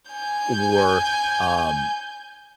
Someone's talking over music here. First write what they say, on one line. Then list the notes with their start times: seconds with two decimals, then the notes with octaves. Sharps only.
or, um,
0.11 G#5 G6